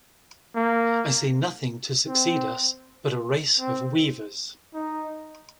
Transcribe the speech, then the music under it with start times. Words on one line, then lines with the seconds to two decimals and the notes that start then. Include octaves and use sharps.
I see nothing to succeed us but a race of weavers.
0.56 A#3
2.08 C4
3.60 C4
4.74 D#4